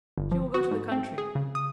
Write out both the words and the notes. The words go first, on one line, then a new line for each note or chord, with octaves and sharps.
"She will go to the country."
G1
F3
F#4
G#2
C4
G#4
C#3
D#6